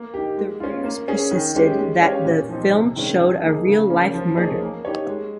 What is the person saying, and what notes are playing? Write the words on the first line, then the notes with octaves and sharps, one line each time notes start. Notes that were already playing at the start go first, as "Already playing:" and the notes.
The rumours persisted that the film showed a real-life murder.
Already playing: A#3
D#4 G4
G#3
C#4 F4
A#3
C#4 G#4
D#3
G#3 C#4 G4
G#3
C#4 G4 C#5 F5
A#2
F3 C4 D#4
C3
D#3 G#3 C#4
F3
A#3 D#4 G#4
C#3
F3 A#3 C#4
F3
A#3 D#4 G#4 C#5
A#3
D#4 G4 C#5
G#3